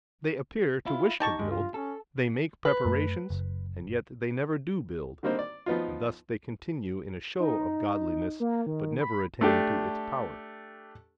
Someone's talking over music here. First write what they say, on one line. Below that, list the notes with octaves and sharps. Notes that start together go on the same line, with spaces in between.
They appear to wish to build, they make preparations, and yet they never do build; and thus they continue in a show of godliness, but never attain to its power.
E4 F4
D#4 G4 A5 C#6
G2 G#3
F4
C#4 A4
B4
F#2 A3
F#1
D3 G3 A#3 C4 D#4 C5
D5
F3 B3 D#4 F4
D#4
A#3
D#3
B5
A3 D4 G4